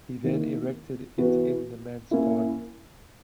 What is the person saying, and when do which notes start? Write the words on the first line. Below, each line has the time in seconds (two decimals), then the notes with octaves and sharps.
He then erected it in the manse garden.
0.24 D#3 A#3 E4
1.18 E3 B3 F#4
2.11 A#3 C#4 E4